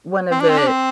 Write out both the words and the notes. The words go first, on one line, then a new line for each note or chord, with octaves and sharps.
one of the
C4
D4
C4
D4
C4